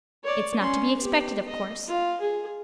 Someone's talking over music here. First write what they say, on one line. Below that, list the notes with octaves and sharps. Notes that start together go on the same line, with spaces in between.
It's not to be expected, of course.
C#5 D5
C#4 C6
B3 G4
D#5
F4
G#4